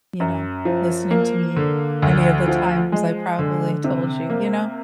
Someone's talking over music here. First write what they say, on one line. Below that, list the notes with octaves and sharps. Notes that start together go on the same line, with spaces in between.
You know, listening to me, any of the times I probably told you. You know,
F#2
F3
A#3
D3
D2
F3
G#3
D3
C3
A#3